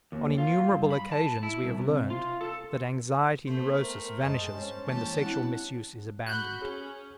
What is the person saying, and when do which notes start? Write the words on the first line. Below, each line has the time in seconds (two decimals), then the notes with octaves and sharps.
On innumerable occasions we have learned that anxiety neurosis vanishes when the sexual misuse is abandoned.
0.12 D#2
0.38 F4
0.69 G2
0.90 B5
1.12 A5
1.43 E4
1.63 C2
1.78 C3
2.10 F4
2.41 A4
3.47 A3 B3 C5
3.79 A#4
4.23 F#2 G#3 A5
4.58 G2 C#4
4.88 E3 G#3 A#3 G4 A5
5.22 C4 D4 E4 F#5
6.26 F#4 B5 F#6 G6
6.62 C#4 G#4